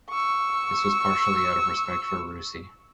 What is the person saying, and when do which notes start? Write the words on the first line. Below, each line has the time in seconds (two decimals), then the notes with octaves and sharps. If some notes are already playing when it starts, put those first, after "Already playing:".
This was partially out of respect for Rusie.
0.10 C#6 E6